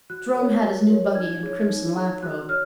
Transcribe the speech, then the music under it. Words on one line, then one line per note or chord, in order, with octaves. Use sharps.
Jerome had his new buggy and crimson lap robe.
F#4 F#6
A#4 C#5
F#4
A#4 C#5
D#4 G#6
G#4 C#5
D#4
G#4 C#5
F#4 F#6
C#5 F6